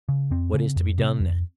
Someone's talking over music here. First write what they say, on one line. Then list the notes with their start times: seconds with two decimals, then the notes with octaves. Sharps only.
What is to be done then?
0.09 C#3
0.31 F2 C4
0.54 C#3
0.76 F2
0.98 C3
1.20 F2